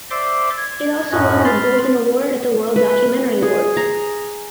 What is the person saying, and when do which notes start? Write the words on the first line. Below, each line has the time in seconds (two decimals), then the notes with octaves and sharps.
It also won the Golden Award at the World Documentary Awards.
0.11 C5 D5 E5 C6 D6
0.57 G#6
1.12 F#2 A2 C#4 D#5 F#6
1.45 B5 C6 F6 A6
2.76 B4
3.43 G#4
3.77 A#5